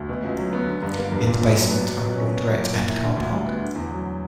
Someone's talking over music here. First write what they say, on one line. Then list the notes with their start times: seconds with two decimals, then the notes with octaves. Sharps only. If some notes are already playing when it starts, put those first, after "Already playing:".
In the basement are a launderette and car park.
Already playing: D2
0.09 B2
0.23 C#2
0.38 F#3
0.53 B3
0.67 D3
0.82 G2
0.97 A#3
1.12 G2
1.27 A#2
1.41 A#1
1.56 F#3
1.70 B3
1.85 F#3
1.99 B2
2.15 C#4
2.28 B2
2.44 F#3
2.58 A#2
2.73 A#3
2.88 E4
3.03 D3
3.17 D2
3.31 G3
3.47 B3
3.62 D3
3.75 E2
3.91 F#3